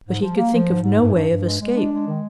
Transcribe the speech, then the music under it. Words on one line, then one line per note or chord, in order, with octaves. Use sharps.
But he could think of no way of escape.
G#2
F3
A#3
F3
G#2
G#2
G2
G2
G2
G#3
G#3
D4
G#3
D#3